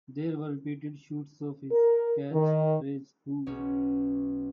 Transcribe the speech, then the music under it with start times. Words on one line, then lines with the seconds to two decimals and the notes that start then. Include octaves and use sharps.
There were repeated shoots of his catch phrase Fuuuu!
1.72 A#4
2.32 D#3
3.47 B1 C#4